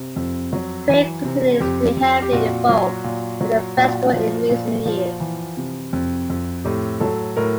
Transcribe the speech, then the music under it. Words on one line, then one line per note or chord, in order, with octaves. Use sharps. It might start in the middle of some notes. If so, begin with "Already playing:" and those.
Craig continues to be heavily involved with the festival in recent years.
Already playing: C3
F2
F#3
E3
C3
F2 G4
F2
G4
A#2 F#4
F#3
A#2
F#3
A#2 F#4
F3
A#2
F3
E3
C3
F2
F2
A2 G4
F#3 A4
A2 A#4